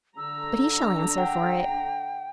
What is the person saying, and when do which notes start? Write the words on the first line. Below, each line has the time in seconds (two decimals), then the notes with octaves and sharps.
'But he shall answer for it.
0.18 D3 A#5 E6
1.18 F#5 G5